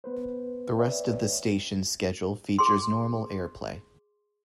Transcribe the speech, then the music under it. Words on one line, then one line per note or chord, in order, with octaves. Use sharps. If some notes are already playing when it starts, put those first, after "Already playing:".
The rest of the station's schedule features normal airplay.
B3 B4 C5
B4 C#5 D5 E5 G5
G#4 C6